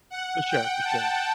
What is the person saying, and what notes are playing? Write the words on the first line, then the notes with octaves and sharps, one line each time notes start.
For sure. For sure.
F#5
G5
A5